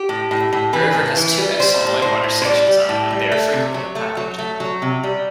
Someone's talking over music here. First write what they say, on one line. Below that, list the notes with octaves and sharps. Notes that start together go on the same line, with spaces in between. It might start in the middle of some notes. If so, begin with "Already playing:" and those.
The river has two excellent whitewater sections on it, and they are frequently paddled.
Already playing: G4
A2
A2
A2
E3 B4
A2
E3
G3
G3 C5
A2
A2 C5
A2
C5
G3 D5
G3
A2
G3
A3
C3
F#3
A3
F#3
A3
F#3
C3
G3